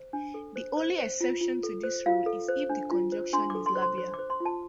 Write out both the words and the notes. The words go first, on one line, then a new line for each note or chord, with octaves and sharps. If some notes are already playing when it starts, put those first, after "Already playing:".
The only exception to this rule is if the conjunction is labial.
Already playing: C5
D4
A4
C5
C5
C5
F4
F4
A4
C5
F4 F5
A4
C5
D4
F4
C5
D4 C6
D6
A4
C6
C5
C6
C5
D6
C5
C6
F4
A5